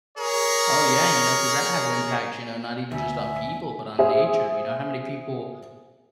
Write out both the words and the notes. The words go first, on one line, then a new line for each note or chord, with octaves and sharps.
Oh, yeah, you know 'cause that has impacts, you know, not even just on people, but on nature you know how many people
G#4 A#4 C#5
D2 E5 G#5
G#4 C5 E5